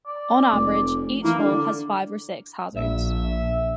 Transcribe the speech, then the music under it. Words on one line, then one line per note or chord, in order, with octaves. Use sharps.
On average, each hole has five or six hazards.
D5
F1
E3 A#3
D3 D5
A#1 E5